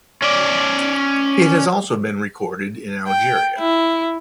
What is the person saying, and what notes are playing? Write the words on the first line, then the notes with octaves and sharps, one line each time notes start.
It has also been recorded in Algeria.
C#4 D5
G5
E4